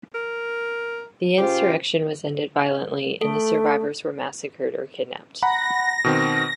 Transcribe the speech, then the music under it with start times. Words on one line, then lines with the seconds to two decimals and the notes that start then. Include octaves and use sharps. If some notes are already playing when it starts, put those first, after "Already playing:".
The insurrection was ended violently, and the survivors were massacred or kidnapped.
0.14 A#4
1.38 C#3 F4 G4 C5
3.21 A3 A4
5.43 F#5 A#5 B5 A#6
6.04 B2 D#3 C4